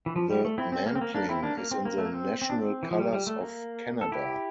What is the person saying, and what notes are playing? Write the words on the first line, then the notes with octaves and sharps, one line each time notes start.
The mantling is in the national colours of Canada.
E3
F3
G3
A3
C4 E4
C4
A#3
C4
A#3
A#3 D4
C4 E4
A#3 D4
A#3
C4
A#3
A3
A#3
C4
C4
D4
C4
E3
F3
G3
G3
A3
A#3
A4
E4 G4